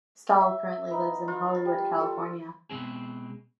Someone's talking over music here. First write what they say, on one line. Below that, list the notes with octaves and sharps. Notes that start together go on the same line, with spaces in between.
Stahl currently lives in Hollywood, California.
E5
B3 D#4
F4
G3
A4
B2 G#3 C4 G#4